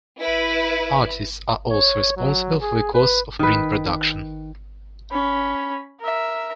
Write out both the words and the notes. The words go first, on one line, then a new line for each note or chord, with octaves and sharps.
Artists are also responsible for the costs of print production.
E4 B4
C#5
F#3
G#4
B4
D#3 B4
C#4 B5
A#4 E5